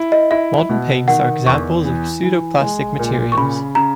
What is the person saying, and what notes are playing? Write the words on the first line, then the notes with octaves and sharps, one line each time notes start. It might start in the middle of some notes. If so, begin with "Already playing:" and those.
Modern paints are examples of pseudoplastic materials.
Already playing: E4
D#5
E4 E5
B2
D#3 F#5
E2 C#6
E3
E3
G#3
A#2
C#6
C#3 B5
C#3 A#5